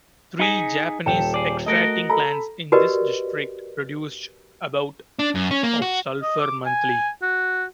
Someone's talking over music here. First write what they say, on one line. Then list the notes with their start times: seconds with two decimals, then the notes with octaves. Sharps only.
Three Japanese extracting plants in this district produced about of sulfur monthly.
0.39 D#4 G#4 B6 C#7
1.06 D#1 A4 G5 E7
1.34 G#4 D5
1.66 A3 F#4 A#4 D#5
2.09 A4 A#5 B5
2.72 F#4 G4 A#4 B4 D5 D#5
5.19 D4
5.35 F#2
5.51 C#4
5.63 A#3
5.82 F#4
6.22 D#5
6.40 D6
6.66 G#5
7.22 F#4